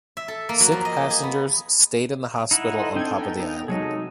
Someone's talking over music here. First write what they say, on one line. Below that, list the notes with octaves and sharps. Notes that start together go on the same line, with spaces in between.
Sick passengers stayed in the hospital on top of the island.
E5
A4
A#3
F#3
F3
D#5
G4
G#4
B3
D#4 E4 F#5
A4 D#5 C6
C4 D4 D#4 G5 G#6
B3 D#4 G5 G#5
D#4
C3 F#3 G#3 D#4 G#4 A4 D#5